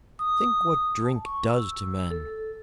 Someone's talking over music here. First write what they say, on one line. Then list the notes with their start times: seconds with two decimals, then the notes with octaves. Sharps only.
Think what drink does to men?
0.19 D#6
1.05 A5
1.25 C#6
1.49 E6
2.11 A4